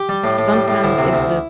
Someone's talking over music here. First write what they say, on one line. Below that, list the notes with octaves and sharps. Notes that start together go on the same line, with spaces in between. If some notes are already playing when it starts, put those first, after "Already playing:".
sometimes it's just
Already playing: G4
G3
A2
A2
G3
A2
D2 E4
C3
D2